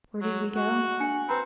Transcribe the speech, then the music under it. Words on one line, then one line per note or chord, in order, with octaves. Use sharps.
Where did we go?
F#3
F#4
D4 G#5 C#7
C4 B4 A#5 B5